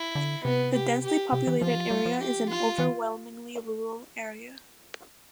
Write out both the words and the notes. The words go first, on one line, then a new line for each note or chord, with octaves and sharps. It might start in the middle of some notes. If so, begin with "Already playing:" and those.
The densely populated area is an overwhelmingly rural area.
Already playing: E4
D3
C3 B3
G4
G4
C3 G4
E3
F3 F4
E3
F3
G3
F3
G4
F4
E3